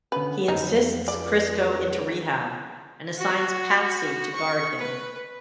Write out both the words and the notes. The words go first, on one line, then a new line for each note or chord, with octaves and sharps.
He insists Chris go into rehab and assigns Patsy to guard him.
D3 B3 C#4 B4
F2 G#2 D#4
C#2 D5
F#4
C#6
B4